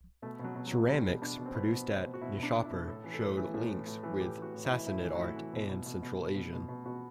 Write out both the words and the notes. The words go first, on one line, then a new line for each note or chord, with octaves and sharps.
Ceramics produced at Nishapur showed links with Sassanid art and Central Asian.
B2 A3
B2
F#3
B2
F#3
B2
B2 G3
B2
B2 D4
B2
C4
B2 B3
B2
B2 C4
B2
F#4
B2 E4
B2
D4
B2
E4
B2
A2 A4
E3
A4
A2 B4
E3
A2
E3
A2
E3
A2 G4
E3
F#4
A2
E4
E3
A2 E4
E3
F#4
A2 E4
E3
B2
B2
B2
B2
B2
B2
B2
B2
B2 F#4